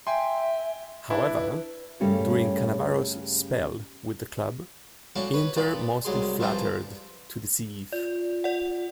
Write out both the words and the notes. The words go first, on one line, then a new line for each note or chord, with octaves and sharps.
However, during Cannavaro's spell with the club, Inter mostly flattered to deceive.
E5 G5 G#5 C6
D4 E4 B4
G2 C#3 G3 A3 A#3 C#4
A2 C#4 D4 F#4 F5 C#6
B4 C#5
A#2 B3 D5 B5
C2 F#3 G#3 G#4 C6
C2 E3 F3 D4 G4 A#5
F4 D5
D5 F#5